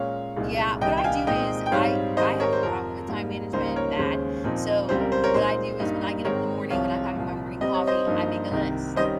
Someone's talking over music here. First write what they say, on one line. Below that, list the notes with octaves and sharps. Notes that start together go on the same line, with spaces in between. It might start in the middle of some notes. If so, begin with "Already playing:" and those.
Yeah, what I do is, I I have a problem with time management- bad- so, what I do is, when I get up in the morning, when I'm having my morning coffee, I make a list,
Already playing: A#2 G#3 C#4 C#5 F5
C2 A#2 G#3 D#4
C2 C3 D#3 G3 D#5 G5
G5
F5 G#5
A#2 G#3 C4 D#4 D#5 G5
G5
G#2 G3 C4 D#4 C#5 F5
G#2 D#3 G3 C4 D#4 C5 D#5
A#4 C#5
C5
F2 C3 F3 A#4
G#2 G3 A#3
C#2 C#3 G3 A#3 D#4 C5
A#4 C#5
D#2 C#3 G#3 C#4 C5
A#2 F3 C4 D#4
C#2 C#3 G3 C4 C5
A#4
C5
A#4 C#5
A#2 G#3 D#4 C5
G2 G3 A#3 D#4
G#2 D#3 G#3 C4 A#4 C#5
C2 C3 F3 C#5 F5
C2 A#2 F3
C3 G3 C4 D#5
C#5
C5 D#5
G2 F3 A#3 D#4
C2 C3 D#3
D#3 G3 C#4 C5 D#5